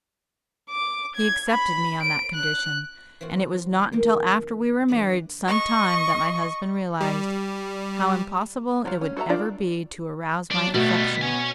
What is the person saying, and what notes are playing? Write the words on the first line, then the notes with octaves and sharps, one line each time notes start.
He accepted me on that condition, and it was not until after we were married some time that my husband realized how impossible it would ever be to arouse my affection.
D6
G#6
B5
D7
F#6
E3 C4 F4 F#4
F2 D#3 A#3 D#4
E3 F#3 B3 D4
D#5 C#6
G3
F3 F#3
C#4
F#4 A4 C5 E5 A#5
D#3 D4 F4 D5
F#3 D4
B2 G3 A3 B3
B3 C#5 G#5